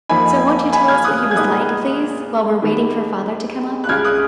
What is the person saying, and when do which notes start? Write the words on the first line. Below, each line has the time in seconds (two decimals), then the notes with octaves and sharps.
So won't you tell us what he was like, please, while we're waiting for father to come up?
0.09 F2 F3 A#3 D#4 G#5 B5
0.73 G#5 B5
0.88 F6 G#6
1.04 D#6 F#6
1.31 G#6
1.36 A#2 G#3 B3 D#4 D#6 F#6
2.62 D#2 D#3 G#3 B3
3.84 F#6
3.89 C#2 C#3 G#3 F6 G#6
4.05 D#6 F#6